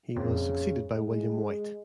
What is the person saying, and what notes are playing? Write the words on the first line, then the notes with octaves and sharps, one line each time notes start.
He was succeeded by William Whyte.
F2 A#2 C#3 C4
G#3